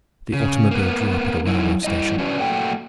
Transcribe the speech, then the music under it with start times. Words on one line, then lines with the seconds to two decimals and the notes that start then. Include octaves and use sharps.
The automobile drew up at a railroad station.
0.33 C#3
0.71 A#3 B3
1.47 F#3 D#4 E4
1.84 G3 E4 D#5
2.18 C#4 D4 F#4 B4
2.39 A3 A#3 F#4 A4 G5